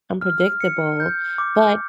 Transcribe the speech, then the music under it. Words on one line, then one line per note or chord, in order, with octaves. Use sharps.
unpredictable, but
F6
C#7
G6
D6